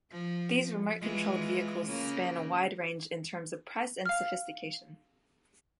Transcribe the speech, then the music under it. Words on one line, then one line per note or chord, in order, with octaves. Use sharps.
These remote controlled vehicles span a wide range in terms of price and sophistication.
F3
E3 G#3 F4
C#3 A#3
F5 F6